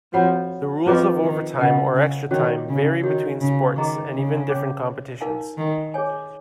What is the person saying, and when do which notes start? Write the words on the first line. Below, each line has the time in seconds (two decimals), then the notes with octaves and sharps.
The rules of overtime or extra time vary between sports and even different competitions.
0.13 F2 F3 F#4 C#5 F#5 B5
0.86 F2 F3 C#4 F4 G#4 B4 D#5
1.22 D#3
1.58 C#3 A#4 D#5 F#5
1.94 C#3
2.31 D#3 C#4 F#4 C#5
2.68 C#3
3.03 D#3 D#4 F#4 C#5
3.40 C#3
3.76 D#3 G#4 D#5 A#5 C#6
4.13 C#3
4.49 C#4 G#4 C#5
5.21 D#4 A#4 F5 G#5
5.57 D#3
5.94 G#4 C#5 G#5